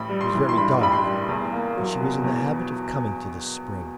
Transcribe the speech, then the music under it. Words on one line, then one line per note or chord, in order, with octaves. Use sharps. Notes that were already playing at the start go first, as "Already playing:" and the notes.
It was very dark, but she was in the habit of coming to this spring.
Already playing: A1 B5
G3
C6
E3
C6
G2 B5
A1 B5
C6
G3
E2
A#3
F#3
B2
E2